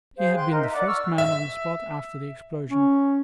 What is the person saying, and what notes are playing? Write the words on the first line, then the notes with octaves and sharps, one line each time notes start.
He had been the first man on the spot after the explosion.
G#4 C5 F5
G5 C6 F#6
D#4 A#4
D#5 E5
D5 F#5 D6
C#6 E6 F6
E5
C#4